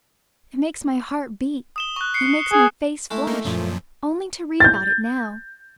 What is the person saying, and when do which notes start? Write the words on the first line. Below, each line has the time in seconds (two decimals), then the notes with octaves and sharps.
It makes my heart beat, it makes my face flush, only to read about it now!
1.76 D#6 E7 G7
1.96 C#6 F#6
2.14 C7 C#7
2.52 G#4
3.11 G#3 A3 E4
3.27 A#3 D#4
3.45 F#2 A#2 F3
4.60 G6 A6